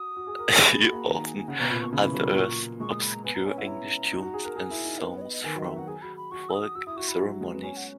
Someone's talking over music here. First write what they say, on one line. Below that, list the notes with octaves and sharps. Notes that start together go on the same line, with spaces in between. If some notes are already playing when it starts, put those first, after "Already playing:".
He often unearths obscure English tunes and songs from folk ceremonies.
Already playing: F#4 D#6
F#4
G#4
A#4
A#4
G#4 B5
G#4
F#4
A#3
D#3 A#5
G#5
G#5
C#3 F#5
B2 A#5
A#2 B5
B2 C#6
C#3 B5
E3
F#3
F#3
A#2 C#6
G#3 C#6
D#6
B5
A#5
B3 G#5
B3 A#5
C#4 G#5
E4 F#5
A#5
D#4
F#4
G#4
A#4
G#4 G#5
E4
D#4
B3 A#4
B4
C#5
D#5
D#5
D#3 G#5
F#3
D#5
E5
F#4 F#5
G#4 G#5
F#4 B5
B5
F#4 C#6
E6
D#6
F#4 E6
E4 D#6
F#4 C#6
E4 B5
F#3
G#3
B3
C#4 G#5
F#5